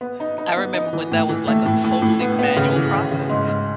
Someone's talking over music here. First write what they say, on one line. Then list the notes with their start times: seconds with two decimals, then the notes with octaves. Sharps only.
I remember when that was like a totally manual process.
0.01 B3
0.20 D#4
0.38 D#4
0.57 B3
0.74 D#4
0.93 E3
1.11 A2
1.29 E3
1.47 A3
1.66 A2
1.84 A2
2.02 A2
2.20 B3
2.39 B3
2.56 C#3
2.76 E3
2.94 C#3
3.11 C#3
3.30 G#2
3.48 G#2